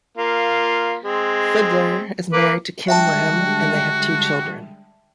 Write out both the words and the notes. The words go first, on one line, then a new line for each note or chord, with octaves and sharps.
Fidler is married to Khym Lam and they have two children.
A#3 F4
G#3 C4
A#3 B4 D6
D3 G3 G#3 F#4 E5 G5 A5